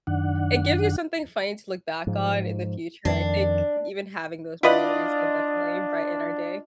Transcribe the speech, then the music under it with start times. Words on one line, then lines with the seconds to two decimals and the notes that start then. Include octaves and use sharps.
it gives you something funny to look back on in the future and I think even having those memories can definitely brighten our day.
0.07 F#2 D#3 D4 F#5
2.07 G#2 F3
3.05 F2 D#3 D4
4.63 D4 E4 F4 B4 D5 D#5 F#5